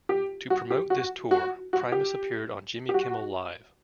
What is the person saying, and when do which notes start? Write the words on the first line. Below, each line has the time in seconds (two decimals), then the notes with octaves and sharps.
To promote this tour, Primus appeared on Jimmy Kimmel Live!
0.09 G4
0.50 F#4
0.70 G4
0.90 F#4
1.31 F#4
1.73 F#4
1.92 G4
2.89 G4
2.94 F#4